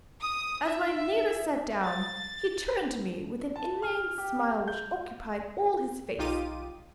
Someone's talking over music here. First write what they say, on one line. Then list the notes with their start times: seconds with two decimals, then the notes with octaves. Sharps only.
As my neighbour sat down, he turned to me with an inane smile which occupied all his face.
0.21 D#6
0.66 E5
1.83 A6
3.56 A5
3.82 F6
4.18 G4
4.68 G6
6.18 B1 D#4 F4 G4 D6 D#7